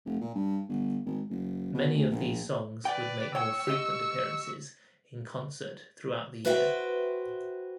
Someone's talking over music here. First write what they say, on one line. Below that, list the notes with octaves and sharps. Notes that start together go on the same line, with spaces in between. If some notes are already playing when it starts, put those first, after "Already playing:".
Many of these songs would make more frequent appearances in concert throughout the year.
F1
A#2
G2
G1
G#1
F#1
B2
D2
A#1
B4 D5 G5
C#5 G5 C#6 E6
G4 D#5
F#4 B4 C5 E5 F5 G5